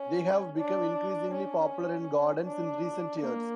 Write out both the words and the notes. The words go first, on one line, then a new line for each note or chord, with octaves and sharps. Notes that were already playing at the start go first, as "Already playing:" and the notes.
They have become increasingly popular in gardens in recent years.
Already playing: C#4
D4
C#4
D4
A#3